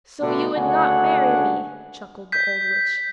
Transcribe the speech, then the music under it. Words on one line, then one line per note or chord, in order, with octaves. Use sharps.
'So you would not marry me!' chuckled the old witch.
B2 D3 G3 A3
D2 C#3 D4 F#5 G#5
G6 B6